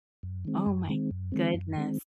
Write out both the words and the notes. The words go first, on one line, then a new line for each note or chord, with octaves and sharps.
Oh my goodness.
F#2
D#3 G#3 C4
F#2
D#3 G#3 C4
F#2
D#3 G#3 C4
F#2
D#3 G#3 C4